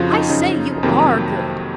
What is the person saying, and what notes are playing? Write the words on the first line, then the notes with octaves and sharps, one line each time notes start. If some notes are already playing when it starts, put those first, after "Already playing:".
'I say, you ARE good.'
Already playing: F2 C#3 F3 F4 F#4
D#4
F#2 C#3 F3 D#4
F2 C3 D#3 F#3 A#3